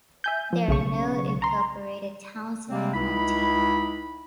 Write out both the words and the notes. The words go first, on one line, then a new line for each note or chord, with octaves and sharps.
There are no incorporated towns in the county.
E5 G#5 G6
F3
B1 C#3 C#6
A#5 C6
C3 G3 G#3 A#3 C4
C#2 D#4 E4 B5